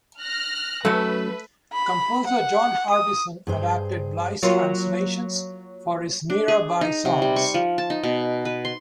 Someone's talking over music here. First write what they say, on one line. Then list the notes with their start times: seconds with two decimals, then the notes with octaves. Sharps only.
Composer John Harbison adapted Bly's translations for his Mirabai Songs.
0.21 F6 F#6 A#6
0.85 F#2 F#3 A3 B4
1.73 B5
2.27 F#5
2.90 D#6
3.47 G2 G#4 C5
4.43 F#3 A#3 F4
6.30 D4
6.48 G#4
6.81 D#4
7.05 C3
7.22 G3
7.36 C#6
7.54 F3
7.78 A5
7.90 D#4
8.03 B2
8.45 B4
8.65 C6